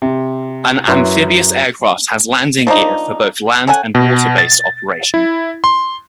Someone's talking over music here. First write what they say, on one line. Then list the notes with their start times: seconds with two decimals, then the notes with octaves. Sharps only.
An amphibious aircraft has landing gear for both land and water-based operation.
0.02 C3
0.87 F#2 C#4 E4 B4 C6
2.67 F3 A#3 D4 D#4
3.67 C#4 A4 F#5 G#5
3.95 B2
4.38 A6
5.14 E4
5.64 C6